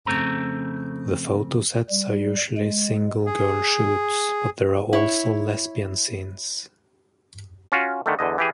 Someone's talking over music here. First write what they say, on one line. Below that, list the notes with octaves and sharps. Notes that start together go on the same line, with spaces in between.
The photosets are usually single-girl shoots but there are also lesbian scenes.
F2 C#3 A3 C4 A#5
G3
G#3
G#4
E4 C#5
C#4 F4 F#4
D3 D#3 A3
E2 D3 D#5
E3 G4 G#4